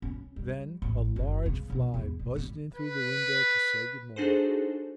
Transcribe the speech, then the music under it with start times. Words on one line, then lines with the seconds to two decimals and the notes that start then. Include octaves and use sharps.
Then a large fly buzzed in through the window to say good morning.
0.02 C#4
0.36 G3
0.82 A1
1.16 F#1
1.46 C#3
1.70 B1
1.94 E2
2.19 A#2
2.36 D3
2.75 B4
4.16 D4 D#4 F#4 G#4 A4 C5